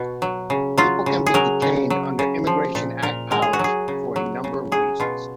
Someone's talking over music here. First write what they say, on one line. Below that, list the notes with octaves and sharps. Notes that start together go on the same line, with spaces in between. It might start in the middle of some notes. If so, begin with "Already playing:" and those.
People can be detained under Immigration Act powers for a number of reasons.
Already playing: B2 F#4
F#3
C#3
F#3 F4
C#3
G#4
F#3 A#4
C#3
F#3
C#3
F3
A#2
A#2 A#4
G#3 A#4
G#4
F#4
F#3 G#4
C#3
F#3
C#3
F#3 G#4
B2 F4